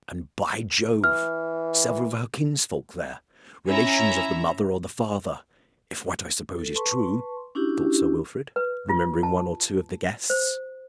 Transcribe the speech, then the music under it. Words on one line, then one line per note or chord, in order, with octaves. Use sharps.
"And, by Jove! several of her kinsfolk there, relations of the mother or the father, if what I suppose is true!" thought Sir Wilfrid, remembering one or two of the guests.
E3 F6
C#4 E4 E5 A#5
A4
B4 A5 C6 C#6
C#4 D4 E4 F#4 G4
B4
F4
A5
C5